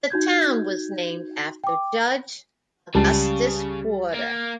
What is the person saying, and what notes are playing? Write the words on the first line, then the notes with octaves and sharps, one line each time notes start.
The town was named after Judge Augustus Porter.
D#4 F#4 G6 G#6
G5 D6
C#2 C#3 G3 A5
A#3